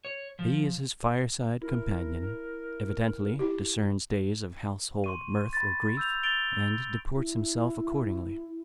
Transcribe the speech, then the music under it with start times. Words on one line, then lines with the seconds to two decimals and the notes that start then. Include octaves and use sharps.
He is his fire-side companion, evidently discerns days of household mirth or grief, and deports himself accordingly.
0.05 C#5
0.39 F3
1.61 E4 A#4
3.39 E4 G4
5.04 C6 C#6 D#7
5.53 B5 A6
5.97 E6 G6 F7
6.23 A6 D7 F7 G7
7.16 E4